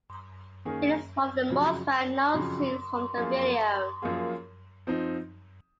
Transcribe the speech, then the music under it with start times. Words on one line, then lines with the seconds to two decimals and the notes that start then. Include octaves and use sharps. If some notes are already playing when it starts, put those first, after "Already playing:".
It is one of the most well-known scenes from the video.
0.65 D#3 A#3 C#4 G#4
1.50 F2 C#3 F#3
2.34 F2 C#3 F#3
3.18 F#2 F3 A#3 F4 G#4
4.02 F#2 F3 A#3 F4 G#4
4.87 F3 C4 D#4